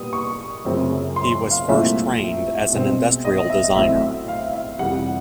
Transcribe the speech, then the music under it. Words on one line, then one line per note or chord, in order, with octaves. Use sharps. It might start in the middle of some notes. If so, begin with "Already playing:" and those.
He was first trained as an industrial designer.
Already playing: A#2 G3 B3 D#6
C#6
F#2 C#3 F3 A3 C4
C6
F5
C2 A#2 F3 A3 C4 E5
B2 G#3 C4
D#5
E5
A2 F#3 A3 C4 E5
F5
E5
F2 C3 E3 G3 F#5